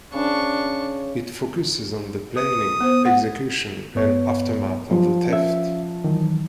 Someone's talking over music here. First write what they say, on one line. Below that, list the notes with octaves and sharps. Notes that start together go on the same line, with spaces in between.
It focuses on the planning, execution, and aftermath of a theft.
C#3 D4 C#6
B4 D#6
B3 C5
F#5
G2 B3 C#5
F3
C#4 F4 E5
D#3 E3 F#3